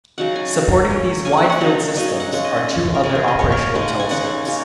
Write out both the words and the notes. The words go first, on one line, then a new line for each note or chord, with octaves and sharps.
Supporting these wide field systems are two other operational telescopes.
C#3 F#3 D#4 F#5
G#5
C#3 F#3 D#4
F#3 A#3 C#4
F#3 A#3 C#4 G#5
F#5
F#5
C#3 F#3 D#4
C#3 F#3 D#4 D#5
D#5
F#5
C#3 G#3 C#4 F#5
D#5
D#5
C#3 G#3 C#4
A#4
C#3 G#3 C#4 G#4
A#4
D#5
C#3 G#3 C#4 C#5
A#4
C#3 G#3 D#4 D#5
F#5
G#5
C#3 G#3 D#4 F#5
C#3 A#3 C#4